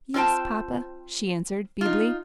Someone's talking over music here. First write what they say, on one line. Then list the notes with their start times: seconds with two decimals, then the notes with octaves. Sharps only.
"Yes, papa," she answered feebly.
0.14 C4 F4 C5 G5 A5
1.81 D#4 F4